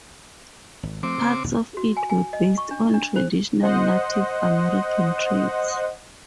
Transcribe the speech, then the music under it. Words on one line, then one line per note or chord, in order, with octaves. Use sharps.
Parts of it were based on traditional Native American trails.
G#1
F3 A3 C4 D6
C#3
A#1 D#2 B2
F#4
G#5
G#5
D#5
C#6
D4
D4
C5
C5 D#5 F#5